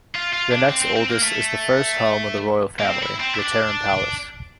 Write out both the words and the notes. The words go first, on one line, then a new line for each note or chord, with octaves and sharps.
The next oldest is the first home of the royal family, the Terem Palace.
F4
F4
D4
C4
C4
C4
A#3
A3
A#3
C4
E4
C4
E4
D4